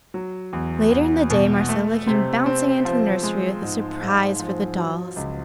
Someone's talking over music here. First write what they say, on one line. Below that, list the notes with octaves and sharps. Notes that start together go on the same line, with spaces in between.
Later in the day Marcella came bouncing into the nursery with a surprise for the dolls.
F#3
E2
E2
B2
A3
C3
C4
F3
G#3
G#2
G#2
F3
F#3
C#2